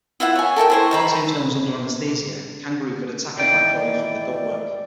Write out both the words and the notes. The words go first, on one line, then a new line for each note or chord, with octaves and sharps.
While Tombstone was under anesthesia, Kangaroo could attack him by crawling through the ductwork.
E4 F4 E5 F#5
C#5 G#5
A4 A#4 E5 G5
E4 C5 C#6
C5 A#5 B5
D#3 E3 D5 G5